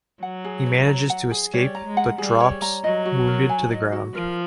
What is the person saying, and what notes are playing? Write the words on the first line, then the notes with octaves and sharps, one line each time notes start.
He manages to escape, but drops, wounded, to the ground.
F#3 F#5
G#4
C#5
A#5
F#5
G#4
G3 C#5
A#5
G#3
F#5
G3 G#4
C#5
A#5
F#3 D#5
F#4
A#4
G#5
D#5
F#4
F3 A#4